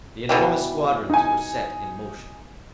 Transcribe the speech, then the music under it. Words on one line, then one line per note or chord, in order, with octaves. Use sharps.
The enormous squadrons were set in motion.
B2 E3 G3
D#4 G#5